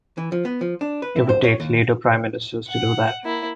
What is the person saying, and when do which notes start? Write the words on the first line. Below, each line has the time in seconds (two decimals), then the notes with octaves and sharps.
It would take later prime ministers to do that.
0.18 E3
0.32 F3
0.45 B3
0.61 F3
0.81 D4
1.02 B4
1.16 E4
1.29 C5
1.44 C#5
1.60 D#2
2.68 F#5
3.24 A#3 E4